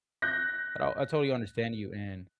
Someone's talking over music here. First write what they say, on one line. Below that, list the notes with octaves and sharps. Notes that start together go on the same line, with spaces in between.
Oh, I totally understand you, and
F#6 G6 A#6